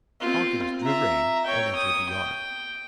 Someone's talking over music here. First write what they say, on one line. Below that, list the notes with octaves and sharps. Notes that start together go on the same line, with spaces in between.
Hawkins drew rein and entered the yard.
C4 F4
E5 A#5
C#5 G5
D#6
G5